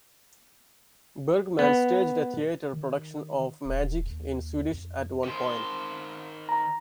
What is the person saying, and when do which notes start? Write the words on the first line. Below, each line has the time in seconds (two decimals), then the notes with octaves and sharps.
Bergman staged a theatre production of "Magic" in Swedish at one point.
1.59 B3
2.73 D#3
3.65 D#1
4.05 D#2
4.70 F2
5.24 D#3 C5
6.49 A#5